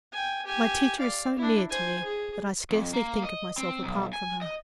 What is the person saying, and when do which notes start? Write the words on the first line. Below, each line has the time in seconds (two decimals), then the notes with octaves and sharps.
My teacher is so near to me that I scarcely think of myself apart from her.
0.13 G5 G#5
0.46 G4 G#5
0.99 D5 F5
1.38 D4 E4
1.70 C5 G#5
2.03 G#4
2.71 F2
2.93 A#3
3.23 D#5
3.58 C4
3.83 B1
4.13 G#5
4.41 D#5